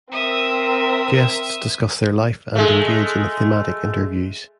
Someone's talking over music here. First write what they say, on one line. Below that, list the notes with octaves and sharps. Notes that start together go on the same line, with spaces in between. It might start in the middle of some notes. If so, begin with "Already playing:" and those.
Guests discuss their life and engage in thematic interviews.
C4 A#4 E5 D#6
G#3 A3